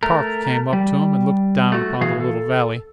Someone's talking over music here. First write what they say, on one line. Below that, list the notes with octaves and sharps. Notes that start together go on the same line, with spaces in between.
Park came up to him and looked down upon the little valley.
A3 A#4
G3
A3 F#4
A2 E3 F#4 G#4 F5
A4